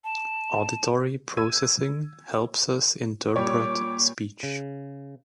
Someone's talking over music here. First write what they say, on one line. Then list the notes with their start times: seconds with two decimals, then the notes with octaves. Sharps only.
Auditory processing helps us interpret speech.
0.04 A5
1.37 E6 G#6 D#7
3.36 A#2 G3 C#5 D6
4.43 C#3